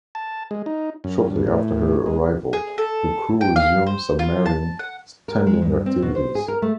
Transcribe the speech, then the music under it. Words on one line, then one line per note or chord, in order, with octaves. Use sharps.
Shortly after her arrival, her crew resumed submarine tending activities.
A5
G#3
D#4
F#2
G2
A2
G#3
G#4
A4
G5
F5
C5
F4
A5
F#5
A#4
G#3
G2
C4
B2
C5
G#4
A#4
A3